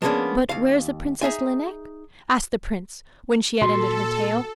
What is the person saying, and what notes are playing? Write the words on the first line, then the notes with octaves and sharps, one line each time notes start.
'But where is the Princess Lineik?' asked the prince when she had ended her tale.
F3 G#3 A#3 B3 C#4 D4
D#2 F5
D#4 G#4 E5 G#5
A#2 F#4 A4 C6